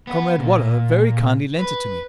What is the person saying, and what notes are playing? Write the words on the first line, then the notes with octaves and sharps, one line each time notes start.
'Comrade Waller very kindly lent it to me.
B3 F#5
A#2
B4